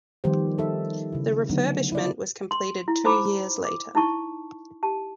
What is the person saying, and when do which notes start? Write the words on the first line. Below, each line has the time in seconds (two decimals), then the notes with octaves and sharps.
The refurbishment was completed two years later.
0.24 D#3 F3 G3 B3 G4 C5
0.58 D#4 G4 A4 D#5 E5
1.12 C#3 E4
1.49 D3 F#3 A3 B3 D4 D#4
1.92 E4 D5
2.51 C6
2.88 E4
3.05 D#4 C5 A#5 B5 D6
3.65 D6
3.95 D#4 E4 A5 C#6
4.83 G4 A5